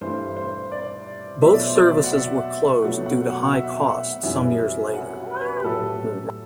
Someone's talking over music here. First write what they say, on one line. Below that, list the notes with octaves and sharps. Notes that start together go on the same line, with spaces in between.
Both services were closed due to high cost some years later.
G2 E3 A3 C5
C5
D5
B2 F#3 A3 E5
D5
C5
D5
F#5
E5
B2 F#3 A3 F#5
F#5
F#5
E5
F#5
F#2 E3 G3 E5
F#5
B4
G4
A2 F#3 A3 A4